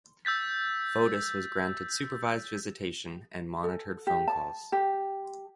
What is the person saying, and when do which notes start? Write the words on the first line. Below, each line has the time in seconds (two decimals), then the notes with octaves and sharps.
Fotis was granted supervised visitation and monitored phone calls.
0.25 E6 G6 A6 B6
3.64 A4
4.07 G4
4.28 A5
4.72 G4